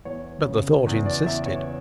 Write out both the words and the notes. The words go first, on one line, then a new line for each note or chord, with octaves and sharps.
But the thought insisted.
E2 C#5
C#3
E2
D5
E2 E5
C#5